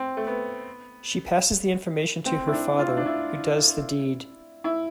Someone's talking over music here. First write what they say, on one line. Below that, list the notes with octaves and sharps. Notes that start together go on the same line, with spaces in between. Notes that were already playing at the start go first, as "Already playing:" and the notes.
She passes the information to her father, who does the deed.
Already playing: C4
A3
B3
C4
E4
D4
F4
E4
D4
E4
E4